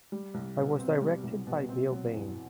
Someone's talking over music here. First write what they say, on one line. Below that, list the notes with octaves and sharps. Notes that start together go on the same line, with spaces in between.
It was directed by Bill Bain.
G3
C2
B2
C4
G3
C2
B2
C4
F#3
E2